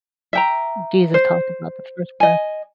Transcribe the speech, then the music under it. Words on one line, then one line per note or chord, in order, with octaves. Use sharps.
Jesus talked about the first press.
E5 G5 A#5
C5
D#5 G#5